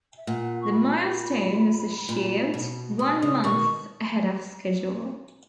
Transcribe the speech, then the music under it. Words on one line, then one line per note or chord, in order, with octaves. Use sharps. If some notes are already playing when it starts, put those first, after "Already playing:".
The milestone was achieved one month ahead of schedule.
E5
A#2 F#5
C#6
B5
A#2
B2
B2 D#6
C#3 D#6
B2 D#3 C#6